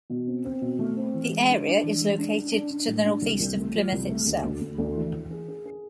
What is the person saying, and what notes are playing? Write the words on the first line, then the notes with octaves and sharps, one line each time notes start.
The area is located to the north east of Plymouth itself.
B2
C4
C4
B2
A3
C4
E3
G#3
D4
D4
E3
G#3
D4
D4
D4
D4
A2
D4
C2
C2
A3
F3
C2
A3
D2
D2
D2
D2
E3
E3
G#4
G#4
G#4